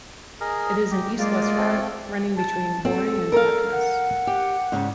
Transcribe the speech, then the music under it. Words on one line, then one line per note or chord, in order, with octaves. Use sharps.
It is an east-west route, running between Boring and Clackamas.
G#4 A#4 D#5
G4
G#3 A#3 F4 D5
A3 C4 A4
A5
C4 A4
A#4 F5
F#5
G4
G#2 C#3